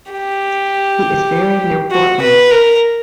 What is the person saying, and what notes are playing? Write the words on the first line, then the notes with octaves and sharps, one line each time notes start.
He is buried near Portland.
G4
F#4
B4
A#4